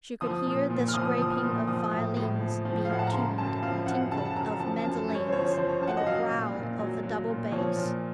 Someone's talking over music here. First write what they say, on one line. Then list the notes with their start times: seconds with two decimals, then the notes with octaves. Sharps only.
She could hear the scraping of violins being tuned, the tinkle of mandolins, and the growl of a double bass.
0.21 F3 D#6
0.46 A#2
0.70 A#2
0.88 F6
0.94 F3 D#6
1.18 F3 D#6
1.32 F6
1.43 A#2
1.67 F3 D#6
1.91 A2
2.17 A2
2.41 F3
2.65 F3
2.85 F5
2.90 A2 F#5
2.99 A5
3.07 A#5
3.13 C#3 C6
3.38 F#2 A5
3.62 F3 F5
3.86 F#2 F#5
4.11 C#3 A5
4.25 A5
4.36 F#2 A#5
4.59 F3 A5
4.78 A5
4.84 F#2
5.08 F#2
5.15 C#5
5.27 C5
5.33 F3 C#5
5.52 C5
5.58 F3
5.69 C#5
5.82 F#2 A5
5.87 F#5
5.97 D#5
6.06 F#3 F5
6.30 A#2
6.54 A#2
6.79 F#3
7.03 F#3
7.28 A#2
7.52 F3 C#5
7.76 A#2